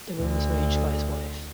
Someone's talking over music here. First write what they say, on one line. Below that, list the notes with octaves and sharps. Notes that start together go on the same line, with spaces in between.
The room was arranged by his wife.
D2